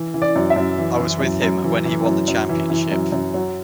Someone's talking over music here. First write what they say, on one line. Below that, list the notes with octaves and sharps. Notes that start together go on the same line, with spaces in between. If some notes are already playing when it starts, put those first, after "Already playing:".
I was with him when he won the Championship.
Already playing: E3
E3
D5
F#2
E5
F#2
E3
E3
F#2
F#2
E3
E3
F#2
F#2
E3
E3
F#2
F#2
F#3